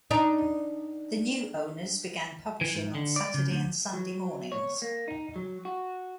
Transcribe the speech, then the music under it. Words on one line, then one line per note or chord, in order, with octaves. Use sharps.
The new owners began publishing on Saturday and Sunday mornings.
D4 D#4
E3
G#2
D3
D5
C#3
D2
F#3
C#5
A#3
D#4
F#3
F#4